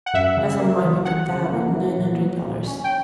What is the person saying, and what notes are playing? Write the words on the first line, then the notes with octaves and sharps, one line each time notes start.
Bazil might be put down at nine hundred dollars.
F#5
F#2 E5
C#3
A#3
E3
F#2 F#5
C#3
A#3
E3
A#2
F#3
A#2
C#4
G5